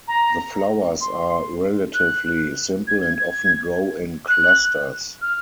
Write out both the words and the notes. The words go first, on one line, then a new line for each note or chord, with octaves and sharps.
The flowers are relatively simple and often grow in clusters.
A#5
C6
F#6
G#6
G#6
G#6
F#6
F6